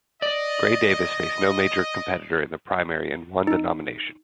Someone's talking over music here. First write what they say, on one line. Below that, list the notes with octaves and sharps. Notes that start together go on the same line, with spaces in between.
Gray Davis faced no major competitor in the primary and won the nomination.
D5 D#5
D#4